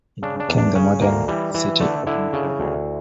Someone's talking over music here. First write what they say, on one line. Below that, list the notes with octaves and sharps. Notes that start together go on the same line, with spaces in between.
It became the modern city of New Haven.
C#3 D4
D4
E2
D4
C#3 C#4
D2 A#3
E3 G3
E3
D3 A3
D3 E4
C#3
D2